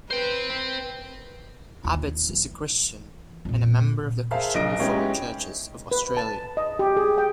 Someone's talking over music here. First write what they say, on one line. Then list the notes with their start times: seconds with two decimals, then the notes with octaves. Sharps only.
Abetz is a Christian and a member of the Christian Reformed Churches of Australia.
0.10 B4 C5 G5
1.84 D#2 F4
2.29 E3
3.45 F2 A#2
4.31 G#4 A#4 C5 E5 F5 A5
4.54 B1 A#2 D4 D#5 A#6 D7
4.79 G#3 B3 C#4 D#4 E4 G4
5.91 B4
6.17 A5
6.57 D#5
6.79 G4
6.97 G#4
7.18 G5